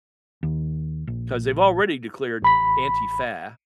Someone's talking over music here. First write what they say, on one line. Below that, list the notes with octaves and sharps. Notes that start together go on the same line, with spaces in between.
'Cause they've already declared Antifa,
D#2
A#1
A1 B5 B6